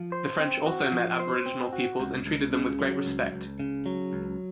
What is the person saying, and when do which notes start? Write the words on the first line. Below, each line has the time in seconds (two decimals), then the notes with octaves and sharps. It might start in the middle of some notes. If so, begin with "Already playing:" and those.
The French also met Aboriginal peoples and treated them with great respect.
Already playing: F3
0.12 C5
0.39 C4
0.66 F#4
0.92 F3
1.20 C5
1.46 C4
1.73 F#4
2.00 C#2
2.26 C#2
2.53 C#3
2.80 F#3
3.06 C#2
3.33 C#2
3.60 C#3
3.86 F#3
4.13 C#2